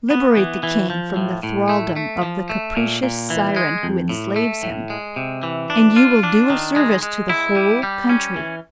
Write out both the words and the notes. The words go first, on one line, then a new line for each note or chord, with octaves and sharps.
Liberate the king from the thraldom of the capricious siren who enslaves him, and you will do a service to the whole country.
B3
E3
E3
F3
A2
A2
A3
A3
F3
A3
A#2
A#2
E3
G#3
F2
A2
A3
A2
G#3
C3
E3
D4
F4
D4
D#3
G#3
G#3
E4
G3
G3
C#4
E3